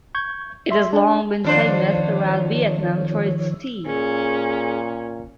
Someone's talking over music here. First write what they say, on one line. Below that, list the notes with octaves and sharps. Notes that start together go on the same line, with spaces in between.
It has long been famous throughout Vietnam for its tea.
C#6 G6 G#6
E5 C6
D4
F2 D#3 F3 D4 C5 C#5
A#2 C#4 G#4